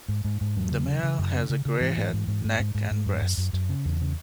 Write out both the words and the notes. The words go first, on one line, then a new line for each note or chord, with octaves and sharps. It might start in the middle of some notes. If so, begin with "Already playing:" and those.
The male has a grey head, neck, and breast.
G#2
G#2
G#2
E2 F#3
C#3
C#3
C#3
F#2
C#3
C#3
C#3
G#2 E3
G#2
G#2
G#2
G#2
G#2
G#2
G#2
F#2
F#2
F#2
F#2
C#3
E2
C#3